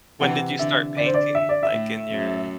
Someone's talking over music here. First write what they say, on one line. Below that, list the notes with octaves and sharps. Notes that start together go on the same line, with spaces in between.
When did you start painting, like, in your,
C3 E3 F#5
D3 E5
D3 D5
C5
D5
E5
D5
E5
A2
F#2